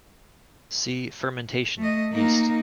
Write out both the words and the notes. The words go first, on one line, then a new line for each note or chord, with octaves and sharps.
See Fermentation, Yeast.
A3 D#5
A#3 D#4